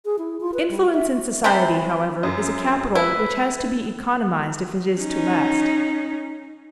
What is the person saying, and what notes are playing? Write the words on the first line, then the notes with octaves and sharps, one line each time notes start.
Influence in society, however, is a capital which has to be economized if it is to last.
G#4
E4
F4
B4
G3
E5
C3 E3 C5 B5 A6 B6
F#2
E4 B4
C#4 D#4